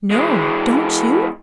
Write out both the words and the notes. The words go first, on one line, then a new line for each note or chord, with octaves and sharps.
"No. Don't you?"
E3 G#3